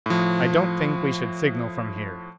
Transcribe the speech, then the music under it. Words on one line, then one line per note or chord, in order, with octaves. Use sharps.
"I don't think we should signal from here."
A2 F3